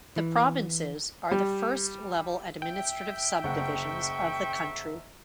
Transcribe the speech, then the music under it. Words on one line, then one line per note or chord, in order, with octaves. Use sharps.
The provinces are the first-level administrative subdivisions of the country.
E3
G3
E5 G5
F#1 F#5 C#6